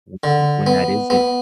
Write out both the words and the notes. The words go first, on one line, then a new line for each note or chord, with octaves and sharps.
w m when that isn't,
D3
B3
B3